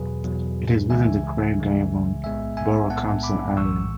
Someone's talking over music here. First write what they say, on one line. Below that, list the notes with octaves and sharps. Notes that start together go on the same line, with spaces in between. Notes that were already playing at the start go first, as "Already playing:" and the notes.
It is within the Craigavon Borough Council area.
Already playing: E2 B2 F#3 G#4 B4
E2 B2 F#3
C#2 C#3 E3 G#3 E5 G#5
C#2 C#3 E3 G#3
B1 A2 G#3 B3 E5 G#5
E5 G#5
B1 A2 G#3 B3 F#5 A5
B5 D6
B1 A2 E3 G#3 C#6 E6